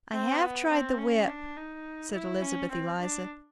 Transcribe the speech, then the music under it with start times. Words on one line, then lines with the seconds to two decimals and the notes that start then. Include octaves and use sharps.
"I have tried the whip," said Elizabeth Eliza.
0.13 C4
0.41 B3
0.70 C4
0.98 C#4
1.27 D4
1.57 D#4
2.13 E4
2.42 C#4
2.71 C4
3.00 D4